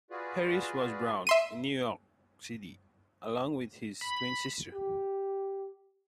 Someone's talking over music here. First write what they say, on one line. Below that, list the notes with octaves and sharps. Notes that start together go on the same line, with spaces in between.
Harris was born in New York City, along with his twin sister.
F4 F#4 G#4 B4 D5
E5 C6 D#7
B5
G4